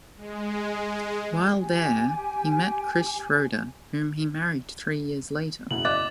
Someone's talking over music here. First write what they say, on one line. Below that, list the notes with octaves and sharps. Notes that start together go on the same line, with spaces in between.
While there, he met Chris Schroeder, whom he married three years later.
G#3
G4 G#5
F#1 E2 B2 F#7
D5 D#5 D6 F#6 A6